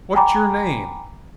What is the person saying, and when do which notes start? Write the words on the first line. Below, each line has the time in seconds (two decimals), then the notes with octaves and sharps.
"What's your name?"
0.15 G5 G#5 A#5 B5 D6